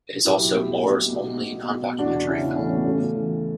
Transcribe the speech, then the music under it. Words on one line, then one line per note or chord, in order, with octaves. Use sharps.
It is also Moore's only non-documentary film.
B1 E4 G4
B2
B2
B2
B2
B2
E2 D4 F#4
C#3 C#4 E4
E3 A3 C#4
B3
C#3 A3
E3